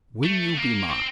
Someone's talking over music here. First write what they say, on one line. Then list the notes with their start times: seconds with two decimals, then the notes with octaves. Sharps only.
Will you be mine?
0.24 A3
0.57 A#3
0.90 C4